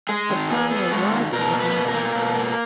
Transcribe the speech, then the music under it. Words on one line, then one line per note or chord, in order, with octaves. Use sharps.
The plan was largely abandoned.
G#3 G#4
D#3
E2 G#4
B3
G#3 F#4
D#3
B2 A#4
A#3
B4
B2
A#4
A#3
B2
A#3